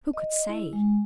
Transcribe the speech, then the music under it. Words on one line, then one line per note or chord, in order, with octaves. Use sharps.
Who could say?
D#5
E4
G#3